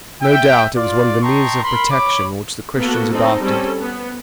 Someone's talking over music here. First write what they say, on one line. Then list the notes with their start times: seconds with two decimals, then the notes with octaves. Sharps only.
No doubt it was one of the means of protection which the Christians adopted.
0.22 E5 G5
0.77 F4 D5
1.22 D#5 G5 A5 A#5 C6 C#6
1.63 A#4 B5 C6
1.91 C#5 B5 D6
2.78 A#3 B3 F#4 A4
3.10 C4 D#4 A4
3.41 G3 C4 C#4 A4
3.80 B3